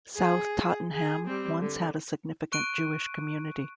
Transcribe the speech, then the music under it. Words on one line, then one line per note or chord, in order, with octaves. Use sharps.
South Tottenham once had a significant Jewish community.
G#4
G#4
G3 C4
D3
C#6 F#6 D7 D#7